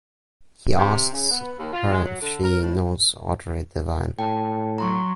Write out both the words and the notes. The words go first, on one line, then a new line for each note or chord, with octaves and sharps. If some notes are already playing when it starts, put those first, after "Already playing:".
He asks her if she knows Audrey Devine.
C3
C#3
B3
D#2
F4
G#3
F#3
D3
A#4
A2
A2 G5 A5
F#3 A#5 C6 C#6